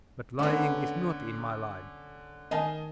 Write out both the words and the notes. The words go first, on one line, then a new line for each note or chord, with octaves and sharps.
But lying is not in my line.
D3 A3 B3 C#4
D#3 D#5 F5 G#5 A5